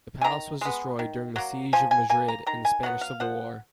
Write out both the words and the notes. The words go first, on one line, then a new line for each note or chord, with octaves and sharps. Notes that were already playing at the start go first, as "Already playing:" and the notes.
The Palace was destroyed during the Siege of Madrid in the Spanish Civil War.
G#5
D#3 A#5
G#3 B3
D#3
F#3 A#3
F3 G#5
G#5
A#3 G#5
A#5
D#3 A#5
G#5
F#3 B3 F#5
F5
F3 F#5